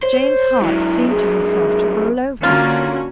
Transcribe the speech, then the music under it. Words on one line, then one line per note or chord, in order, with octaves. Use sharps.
Jane's heart seemed to herself to roll over.
C5 C#5
G#2 F#3 E4
G#4
D3 A#3 C#4 F4 F#4